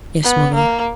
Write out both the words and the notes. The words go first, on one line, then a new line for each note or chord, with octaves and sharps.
'Yes, mother.
B3
A#3